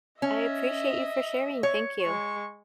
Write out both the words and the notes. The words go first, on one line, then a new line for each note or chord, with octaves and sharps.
I appreciate you for sharing, thank you.
C#4 D#5 E5
C#5
G#3 C#6